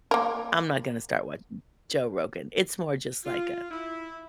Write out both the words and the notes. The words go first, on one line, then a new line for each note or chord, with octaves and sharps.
I'm not gonna start watching Joe Rogan, it's more just like a,
A#3 A#4
F4
E4